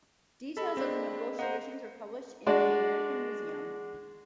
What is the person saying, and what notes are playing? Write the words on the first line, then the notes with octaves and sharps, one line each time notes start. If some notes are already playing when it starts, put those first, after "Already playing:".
Details of the negotiations were published in "The American Museum".
G#3 A4 D#5 B5 B6
C4 D4
A#3 C5 D#5 F#5 A#5
G#3 D4 F#4 D5